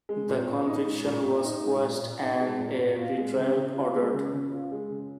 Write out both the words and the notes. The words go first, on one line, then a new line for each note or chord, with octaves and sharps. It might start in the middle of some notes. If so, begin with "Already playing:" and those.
The conviction was quashed and a retrial ordered.
G#3
A#2
A#2
D#4
G#3
A#2
A#2
D#4
G#3
A#2
A#2
D#4
G#3
A#2
A#2
F4
G#3
C#3
C#3
F4
G#3
C#3
C#3
F4
G#3
C#3